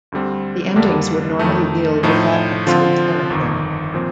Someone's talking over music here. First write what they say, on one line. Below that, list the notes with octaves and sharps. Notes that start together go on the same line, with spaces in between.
The endings would normally deal with that episode's character.
D2 D3 G3 C4
F2 D3 G3 A#3 D4
F2 D#3 A3
A2 F3 A3 D#4
D3 F3 C4 F4
G1 F2 D#3
A#2 F3 C4